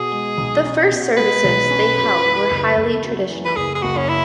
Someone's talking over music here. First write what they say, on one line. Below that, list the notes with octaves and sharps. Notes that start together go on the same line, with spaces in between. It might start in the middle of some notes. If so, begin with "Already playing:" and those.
The first services they held were highly traditional.
Already playing: B2 G#4
G#3
B1
C#4
B2
G#3 B4
B1
C#4
F#2
E3
F#1
F#1
F#2
E3
B4
F#1 G#4
G#4
F#1 F#4
C#4
E4